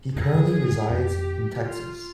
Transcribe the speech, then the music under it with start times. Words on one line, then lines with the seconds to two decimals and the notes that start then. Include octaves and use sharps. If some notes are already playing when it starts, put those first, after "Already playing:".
He currently resides in Texas.
0.16 F2 G#2 G#4
0.34 G2
0.72 G2
0.90 F2 G4
1.64 F4